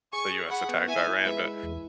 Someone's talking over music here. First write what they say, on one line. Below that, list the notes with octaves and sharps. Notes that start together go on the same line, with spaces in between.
the US attacked Iran, but
G#4 G#5 C#6
G#4
G#4 F#5 B5
B3
E4 E5 G#5
E4
G#3 B4 E5
E4
E2